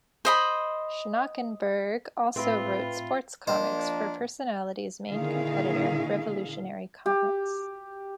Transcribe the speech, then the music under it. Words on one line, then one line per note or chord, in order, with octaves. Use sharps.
Schnakenberg also wrote sports comics for Personality's main competitor, Revolutionary Comics.
C5 D#5 B5
A2 C4 F4 B4 E5 B5
F3 A#3 D4 C5 D#5
A#2 D3 D#3 E4 G#4 F5
G4